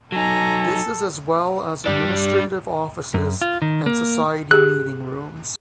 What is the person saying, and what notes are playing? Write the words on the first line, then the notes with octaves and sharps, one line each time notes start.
This is as well as administrative offices and society meeting rooms.
F#3 D#4 A4 G#5 A#5
G3 D4
F#2
F4
D#3
A#3
G4 G#4 F#6